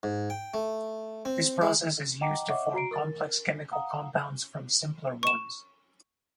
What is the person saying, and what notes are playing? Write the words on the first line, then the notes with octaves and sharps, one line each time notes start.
This process is used to form complex chemical compounds from simpler ones.
G#2
G5
A3
C4
G#3
D#5 F#5 G5 A5 A#5 D6
C#5 D#5 E5 F#5 C#6 D6
F#4 A#5 C7 D7
A#4 A6
F5 F#5 A#5 D#6
C#6 E7